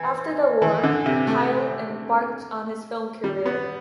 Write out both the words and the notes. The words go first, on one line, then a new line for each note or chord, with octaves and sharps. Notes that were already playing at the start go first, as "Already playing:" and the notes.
After the war, Pyle embarked on his film career.
Already playing: E3
E3
D3
C3
A3
G3
B3